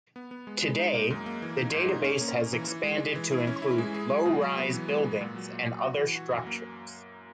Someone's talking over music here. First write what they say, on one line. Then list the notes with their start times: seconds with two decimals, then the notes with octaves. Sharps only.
Today, the database has expanded to include low-rise buildings and other structures.
0.16 B3
0.31 B3
0.47 G#3
0.62 G#3
0.79 D#4
0.95 A#3
1.10 F#2
1.26 A#3
1.42 E3
1.57 D#4
1.73 G#2
1.89 D#4
2.04 C#4
2.21 A#3
2.37 C#4
2.53 E3
2.68 E3
2.84 G#3
3.00 G#3
3.15 E3
3.31 E4
3.47 C#4
3.62 E4
3.78 G#3
3.94 G#4
4.10 F#3
4.26 B2
4.42 F#3
4.57 B3
4.73 E3
4.88 G#3
5.05 E3
5.21 A#2
5.36 F#3
5.53 A#2
5.68 A#2
5.83 F#4
5.99 E3
6.15 F#4
6.31 F#2
6.46 A#3